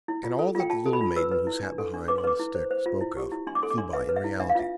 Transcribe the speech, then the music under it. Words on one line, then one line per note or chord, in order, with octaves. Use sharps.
And all that the little maiden, who sat behind on the stick, spoke of, flew by in reality.
E4
F4
A4
F4 G5
F4 A5
A4
B5
F4
B4 E6
B4
E4
D4
A4
D4
B4 D6
C6
B4 D6
E4
C5
C5
F4
E4
G4
E4
D4 C6
D6
A4 C6
D6
D4 C6
B4 E5
B4
E5
E4
D4 E5
F5
F4 E5